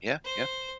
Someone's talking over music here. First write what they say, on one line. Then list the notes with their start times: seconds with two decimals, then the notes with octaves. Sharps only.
Yeah, yeah.
0.25 C5